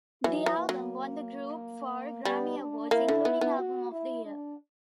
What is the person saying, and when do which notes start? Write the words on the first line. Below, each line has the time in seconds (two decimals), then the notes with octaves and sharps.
The album won the group four Grammy Awards, including Album of the Year.
0.24 E3 F#3
0.46 E3
0.58 A#3
0.69 F#3
2.25 G3 B3
2.58 D4
2.91 A#3 E4
3.08 D3
3.25 B3
3.41 B3
3.59 F#4
3.92 E4
4.26 D4